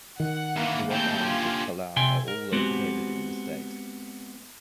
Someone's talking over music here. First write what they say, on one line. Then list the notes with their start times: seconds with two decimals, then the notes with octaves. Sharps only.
The Rock Islands of Palau are all located in the state.
0.20 D#3 F#5
0.56 G2 E3 A#3 E5
0.91 C#3 A3 C4 G4 A5 G6
1.22 D3 C#4 F4
1.96 C3 E5 G5 G#5 C6
2.28 A#4
2.52 G#3 B3 C4 F#4 G4